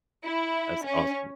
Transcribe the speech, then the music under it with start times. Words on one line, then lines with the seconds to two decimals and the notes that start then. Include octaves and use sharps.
That's awesome
0.25 E4
0.84 C#4